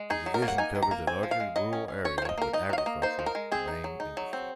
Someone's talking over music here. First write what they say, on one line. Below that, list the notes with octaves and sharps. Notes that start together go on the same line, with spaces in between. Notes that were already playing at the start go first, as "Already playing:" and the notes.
The Division covers a largely rural area, with agriculture the main industry.
Already playing: G#3
D#4 G#4
F#3
A#4
A#3
F#5
D#4 G#5
D#3
A#5
A#3
C4 G#5
F3
F5
G#3
F#3 D#5
C#4
C#4
C#4 C#5
C5
F3 C#5
D#5
A#3 A#4
D#4 D#5
F#3 F5
D#5
A#3
D#4 C5
F3
A#4
G#3
C4 G#4
D#4
F#3
D#4
F#3
C4